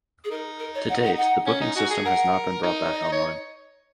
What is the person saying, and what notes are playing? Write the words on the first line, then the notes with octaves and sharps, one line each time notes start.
To date the booking system has not been brought back online.
G#4
D#4 A#4
A#4
C#5
F#5
F#5
F#5
C#4
D#4
F#4 G#5
G#4
A#4 F#5
D#4
C#5
D#5
C#5